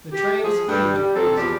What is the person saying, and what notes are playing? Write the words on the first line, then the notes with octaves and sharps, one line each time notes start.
The train's speed decreased.
G4
F3 G#4
G2 G3
G3
F#3 C4 A4
E2 F3 G4 D5